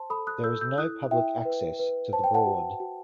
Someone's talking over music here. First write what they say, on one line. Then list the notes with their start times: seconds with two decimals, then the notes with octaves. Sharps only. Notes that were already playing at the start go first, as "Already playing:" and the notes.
There is no public access to the Broad.
Already playing: C5 A5 C6
0.10 A4 B5 D#6
0.27 D#6 F#6
0.44 A4 E6 G6
0.61 E6 G6
0.78 E4 D#6 F#6
1.11 E4 E5 G5
1.45 B4
1.79 B4
2.13 C5 A5
2.24 G5
2.34 F#5 A5
2.46 F#4
2.80 F#4